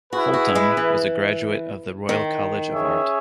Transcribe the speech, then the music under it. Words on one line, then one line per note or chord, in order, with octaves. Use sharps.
Holtom was a graduate of the Royal College of Art.
E4 F#4 G#4 B4
F#4
G#3
E3
D#3
C#4 G#4 C#5 E5